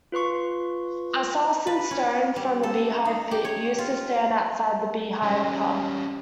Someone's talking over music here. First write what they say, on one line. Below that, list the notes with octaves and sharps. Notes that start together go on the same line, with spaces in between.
A Sarsen stone from the Beehive Pit used to stand outside The Beehive pub.
F4 B4 C6 C#6
B4
C#4
G3
A4
D#4
G4
C#5
F4
G3 C#4